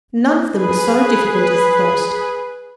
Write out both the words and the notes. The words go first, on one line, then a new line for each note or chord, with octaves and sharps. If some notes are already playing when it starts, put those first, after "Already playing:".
None of them was so difficult as the first.
G#4 B4